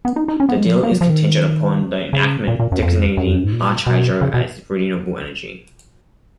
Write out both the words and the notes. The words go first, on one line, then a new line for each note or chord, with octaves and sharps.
The deal is contingent upon the enactment designating large hydro as "renewable energy".
B3
D#4
D#4
C#4
B3
G#3
F3
F#3
A#3
F#3
F3
D#3
C#3
A#2
A#2
F#2
F2
F#2
F2
F#2
G#2
A#2
B2
C#3
B2